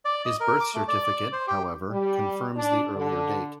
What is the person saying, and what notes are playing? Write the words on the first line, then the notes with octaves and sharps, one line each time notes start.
His birth certificate, however, confirms the earlier date.
D5
D#5
A#4
D6
A3
D5
D5
C5
G4
G3
D4
D3